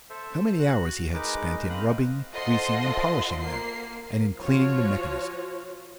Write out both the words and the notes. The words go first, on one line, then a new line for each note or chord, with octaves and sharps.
How many hours he had spent, in rubbing, greasing, and polishing them, and in cleaning the mechanism!
A4 C5 E5
F#4 F#6
G#3 D#4 A#4 B4 D6
C4 D#5 F5 B5 D#6 F#6
F4 A4 C5 D#5 F#5 C6
A#3 C7
F3 F4 F#4 C#5